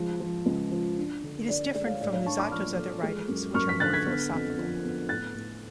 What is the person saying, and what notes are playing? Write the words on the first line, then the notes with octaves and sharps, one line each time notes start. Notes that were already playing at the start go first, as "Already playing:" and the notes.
It is different from Luzzato's other writings, which are more philosophical.
Already playing: C#2 F3 G#3
F3
C#2
F3
D4
D3
D4 D5
G#3 D5
C#5 F5
A2 D5
C#5 F5
D4 A5 C#6
B5 D6
F3 C#6 F6
A3
G#3
F#2
F#2 C#6 F6
B6
D3 F#6 A6
G#6 B6
B3
F2
F3
B3
A2 F#6 A6
A2